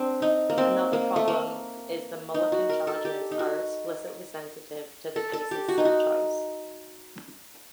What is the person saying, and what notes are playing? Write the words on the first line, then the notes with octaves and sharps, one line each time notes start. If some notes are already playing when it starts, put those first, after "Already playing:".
Another problem is the Mulliken charges are explicitly sensitive to the basis set choice.
Already playing: C4 D4
D#4
A#3
C4
A#3
A3
A#3
D#4
F#4
A#4
A4
G4
D#4
F#4
A4
A4
G4
F#4
D#4
F#4